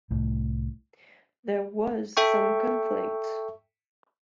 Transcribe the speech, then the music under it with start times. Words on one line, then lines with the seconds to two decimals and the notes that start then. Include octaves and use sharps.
There was some conflict.
0.11 C2 A2
2.17 A4 E5 G5 C#6